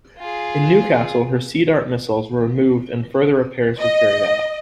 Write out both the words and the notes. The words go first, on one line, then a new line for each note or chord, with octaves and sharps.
In Newcastle, her Sea Dart missiles were removed and further repairs were carried out.
F4 G#4
D#5